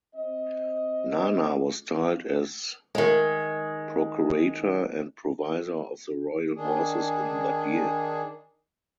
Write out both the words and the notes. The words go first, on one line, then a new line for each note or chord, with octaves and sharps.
Nana was styled as ""procurator" and "provisor" of the royal horses" in that year.
C4 D#5
D#3 G#3
D#3 D4 G#4